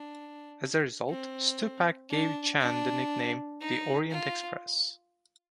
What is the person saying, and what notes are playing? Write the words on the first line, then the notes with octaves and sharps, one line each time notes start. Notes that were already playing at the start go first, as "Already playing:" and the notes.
As a result, Stupak gave Chan the nickname "The Orient Express".
Already playing: D4
C4
D4
D4
D#4
F4